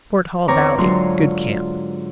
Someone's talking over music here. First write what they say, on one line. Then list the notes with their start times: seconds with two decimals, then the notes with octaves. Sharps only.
Fort Hall Valley.--Good camp.
0.48 E2 C4 C#5 A#5 D6
0.78 G#2 D3 F#3 F4 C#5 C6